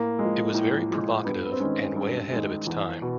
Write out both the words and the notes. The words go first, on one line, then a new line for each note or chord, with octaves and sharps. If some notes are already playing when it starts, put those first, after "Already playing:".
It was very provocative and way ahead of its time.
Already playing: A2 A#3
F3 G#3
A2
F3 G#3
G2 B3
B3
C4
D#3 G#3 C#4
G2
D#3 G#3
E2
B2